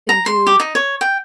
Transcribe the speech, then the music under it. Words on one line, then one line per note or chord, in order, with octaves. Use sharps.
can do
A#5
C6
G4
D#4
C#5
G5